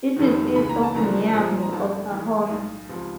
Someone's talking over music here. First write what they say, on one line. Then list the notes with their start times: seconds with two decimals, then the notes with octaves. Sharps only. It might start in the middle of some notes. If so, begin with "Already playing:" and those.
It is east of Miami, Oklahoma.
0.17 F1 F2 C3 D#3
0.56 C#2 C#3 E3 B5
0.69 A#5
0.83 A5
0.95 F#1 F#2 D3 F3 A#5
1.33 B1 A#2 F3
1.63 A#5
1.72 G1 F#2 D3 A5
2.11 A1 A2 E3
2.50 B1 A2 E3
2.89 C#2 C3 F3